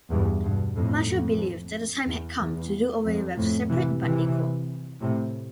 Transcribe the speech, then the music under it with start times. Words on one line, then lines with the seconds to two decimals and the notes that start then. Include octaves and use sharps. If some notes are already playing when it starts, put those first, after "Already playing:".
Marshall believed that the time had come to do away with "separate but equal".
0.11 E2 G2
0.43 G2 B2
0.76 F2 A2
1.08 F2
2.06 E2
2.40 E2
3.05 F2
3.37 F2 A2
3.69 C3 E3
4.02 C3 E3
5.00 A2 C3